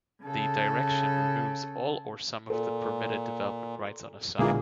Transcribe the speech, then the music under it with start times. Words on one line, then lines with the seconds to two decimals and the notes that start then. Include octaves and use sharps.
The Direction removes all or some of the permitted development rights on a site.
0.23 C#3 A4
2.50 A#2 A4
4.39 A#1 B2 D3 E3 G#3 A#3 F4 G#4